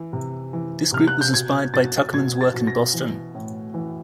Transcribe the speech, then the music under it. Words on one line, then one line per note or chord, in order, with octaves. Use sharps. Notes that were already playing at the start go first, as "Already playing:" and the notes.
This group was inspired by Tuckerman's work in Boston.
Already playing: E3
C3
E3
C3 F6
F#6
G6
B2 G#6
B2 A6
B2 G#6
A6
B2
A#6
E3
A2
E3